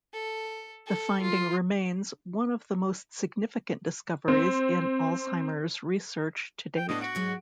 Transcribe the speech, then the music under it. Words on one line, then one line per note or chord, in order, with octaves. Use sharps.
The finding remains one of the most significant discoveries in Alzheimer's research to date.
A4
A4
F4
C4
G5
A2 B3 D4 D#5
F#4 F#5 D7
G#2 F#3 G#3